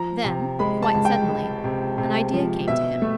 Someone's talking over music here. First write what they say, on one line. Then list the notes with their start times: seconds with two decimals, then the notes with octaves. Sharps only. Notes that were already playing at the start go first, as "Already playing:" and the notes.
Then, quite suddenly, an idea came to him.
Already playing: F3 A#5
0.24 C3
0.59 G#3 B5
0.83 A5
0.94 C#2
1.05 G5
1.29 G#3
1.64 C3
1.98 C3
2.34 F3
2.67 B2 E5
3.02 A3